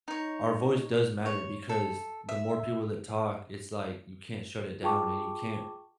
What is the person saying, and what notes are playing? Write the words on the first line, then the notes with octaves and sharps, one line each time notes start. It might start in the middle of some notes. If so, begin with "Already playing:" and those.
our voice does matter, because the more people that talk, it's like, you can't shut it down, and you can't
D#4 C#5
C#5
A4
E5
F4 G#4 G5 A5 C#6 D6